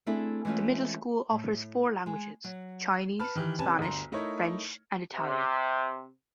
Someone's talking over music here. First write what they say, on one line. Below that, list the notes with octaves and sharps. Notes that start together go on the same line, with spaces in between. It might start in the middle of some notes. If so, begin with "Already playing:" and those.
The middle school offers four languages: Chinese, Spanish, French, and Italian.
A3 C4 D4 E4 G#4 A4
E3 G#3 A3 C#4 F4
A2
G#3 G#4
F#3
B4 A5 B5 F6
D#3 E3 G4
C3 C#4 B4 G#5 A5
G1 D2 A#5 C6
A3 D#4 E4 A#4 C#5
C3